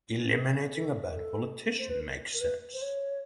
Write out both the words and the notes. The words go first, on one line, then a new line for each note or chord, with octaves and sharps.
Eliminating a bad politician makes sense.
E4
G4
G#4
A4
A#4
A4
C5
B4
A#4
A#4
B4
C5
C#5